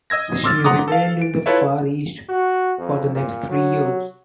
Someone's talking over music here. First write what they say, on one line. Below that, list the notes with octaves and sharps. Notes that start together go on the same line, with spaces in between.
She remained in the Far East for the next three years.
D#5 E6 G#6 A#6
C6 D6 E6 F6 A6
F#5 A#5 C6 D6 D#6
A4 F5
D7
E4 F4 A4 B4 C#5 E5
F#4
F2
A#2
F#3